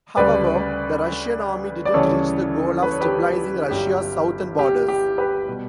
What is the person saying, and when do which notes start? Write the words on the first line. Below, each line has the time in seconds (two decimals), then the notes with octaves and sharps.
However, the Russian army didn't reach the goal of stabilizing Russia's southern borders.
0.17 D2 C#3 G3 B4 D5
1.85 D5
1.94 D2 C#3 E3 G3 A4 C#5
2.83 B4
2.91 C#5
3.01 G4 B4
3.71 G1 G2 F#3 G4
4.59 G4
4.88 G4
5.18 G4 B4
5.48 B2 G3